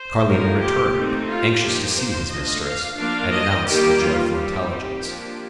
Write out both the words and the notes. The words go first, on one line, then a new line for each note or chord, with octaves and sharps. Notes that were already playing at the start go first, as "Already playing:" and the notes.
Carlini returned, anxious to see his mistress, and announce the joyful intelligence.
Already playing: C5
D3 F3 A#3 D#4 A#4
G4
A3 C4 D#4
F4
F3 A#3 D#4 G4
C5
A3 D4 F4 D#5
F5
F3 A#3 D4 F5
D#5
D#3 G3 A#3 G4
F4
G3 C4 D#4 G4
F3 A#3 D4